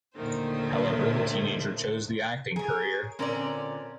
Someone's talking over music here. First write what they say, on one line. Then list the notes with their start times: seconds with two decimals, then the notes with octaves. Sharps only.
However, the teenager chose the acting career.
0.15 D#2 A#2 D3 D#3 A3 C5
2.56 G#4 A#4 C#5
3.19 A#2 D3 C4 C#4 A#4 D5